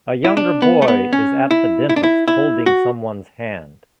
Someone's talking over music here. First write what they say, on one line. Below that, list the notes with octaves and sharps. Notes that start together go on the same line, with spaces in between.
A younger boy is at the dentist holding someone 's hand.
E4
D4
B3
A3
B3
C#4
E4
E4
D4
E4
E4
F#4